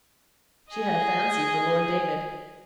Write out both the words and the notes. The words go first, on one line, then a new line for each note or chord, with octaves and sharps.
She had a fancy for Lord David.
G#4 D#5